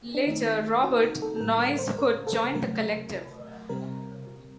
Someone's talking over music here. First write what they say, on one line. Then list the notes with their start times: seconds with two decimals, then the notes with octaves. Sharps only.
Later Robert "Noise" Hood joined the collective.
0.15 D4
0.27 D#3 A3 C4 D#4
0.83 F#4
1.02 A#4
1.22 A4
1.36 A4
1.40 A2 G3 A#3 A#4
1.60 A#4
1.79 C5
1.98 A#4
2.27 A4
2.55 C3 F#3 A3 A#4
3.69 C3 G3 C4 A#4